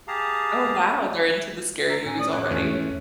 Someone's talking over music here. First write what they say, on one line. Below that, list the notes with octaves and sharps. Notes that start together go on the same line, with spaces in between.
Oh, wow, they're into the scary movies already?
G4 G#4 F5 A5 A#5
A#5 E6
A2 C#4 G#5
D5 D#6
C#5 D6 F#6
E2 G#2 E3 A3 C#4 F4